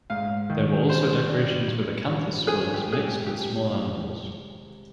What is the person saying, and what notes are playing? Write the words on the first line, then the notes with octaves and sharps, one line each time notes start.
There were also decorations with acanthus swirls mixed with small animals.
G#2 F5
D#3
G3 C5
D4
G2
F3
F3 G#4
G4
G#3
G#4
G4
C3 G4